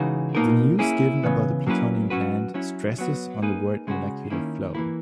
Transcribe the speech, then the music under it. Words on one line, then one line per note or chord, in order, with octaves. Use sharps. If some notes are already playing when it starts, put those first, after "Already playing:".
The news given about the plutonium plant stresses on the word molecular flow.
Already playing: C#3 E3 G#3 D#4 F#4
B2 A#3 D#4 A#4
A#3 C#4 E4 G#4
C#3 E3 B3
F#3 A#3 C#4 E4 B4
F#3 C#4 F#4 B4
F#3 C#4 E4
F#3 B3 F#4
A#3 D#4 G#4 B4
C#3 G#3 C#4 F#4
D#3 A#3 C#4 E4
E3 A#3 E4